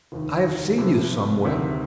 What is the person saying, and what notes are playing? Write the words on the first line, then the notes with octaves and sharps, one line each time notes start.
"I have seen you somewhere."
F1 D#2 D#3
F1 F2 C3
D2 C3 D#3